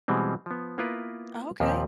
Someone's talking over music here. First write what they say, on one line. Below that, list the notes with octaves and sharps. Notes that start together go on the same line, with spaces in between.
Oh, 'kay.
B2 E3 G3 G#3 C4
F3 B3
A#3 B3 E4 F4 A#4 B4
D#2 A#2 F3 C4 G4